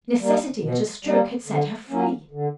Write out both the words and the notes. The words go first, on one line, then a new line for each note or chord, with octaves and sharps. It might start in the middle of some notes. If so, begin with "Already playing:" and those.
Necessity at a stroke had set her free.
G3 A#3
B2
G3 A#3
D3
F#3 A#3 C#4
D3